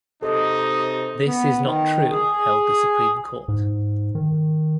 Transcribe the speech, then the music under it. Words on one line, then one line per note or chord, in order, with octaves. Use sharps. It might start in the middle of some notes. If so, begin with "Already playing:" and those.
This is not true, held the Supreme Court.
C3 D#4 A4 D#5
B3
D#3
G#4
G#2
D#3